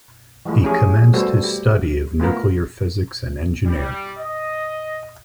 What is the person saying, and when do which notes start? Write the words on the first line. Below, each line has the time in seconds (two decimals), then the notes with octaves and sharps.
He commenced his study of nuclear physics and engineering.
0.45 E3 F3 G#3 A3
0.63 F3 C#4 E4 G4 G#4
1.14 G3 A3 B3 F#4 A4 C5
1.43 G4
2.20 A3 B3 F4 A#4
3.66 G3
4.18 D#5